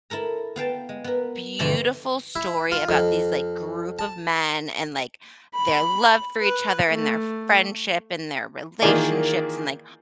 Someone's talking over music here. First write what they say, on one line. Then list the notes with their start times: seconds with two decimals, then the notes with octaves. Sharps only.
beautiful story about these, like, group of men, and, like, their love for each other and their friendship and their relationships and, like,
0.10 E4 A4 A#4 A#5
0.56 B3 F5 G5 A5
0.89 G#3
1.04 B3 A#4
1.59 G2 B2 D3 E3 F3
2.36 E4
2.72 F4
2.89 F2
3.99 A5
5.55 B5
6.42 B4
6.90 A3
8.82 D#3 E3 A#3 F4 G#4 D5